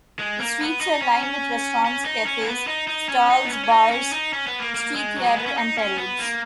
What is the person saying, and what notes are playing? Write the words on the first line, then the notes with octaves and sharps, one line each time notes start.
The streets are lined with restaurants, cafes, stalls, bars, street theater and parades.
G#3
A#3
B3
D#4
C#4
C#4
C#4
D#4
C#4
A#3
B3
D#4
D#4
C#4
D#4
B3
C#4
C#4
D#4
C#4
D#4
C#4
B3
A#3
A#3
G#3
F#3
G#3
B3
C#4
D#4
C#4
B3
A#3